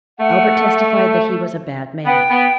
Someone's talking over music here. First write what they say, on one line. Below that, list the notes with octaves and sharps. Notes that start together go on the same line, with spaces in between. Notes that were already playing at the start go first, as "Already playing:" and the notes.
Albert testified that he was a bad man.
A3 F#5
B3 G5
B3